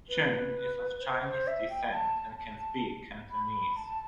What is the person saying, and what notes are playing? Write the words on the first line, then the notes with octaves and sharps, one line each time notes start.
Shen is of Chinese descent and can speak Cantonese.
B4
C5
C5
E5
G5
A5
A5
B5
A5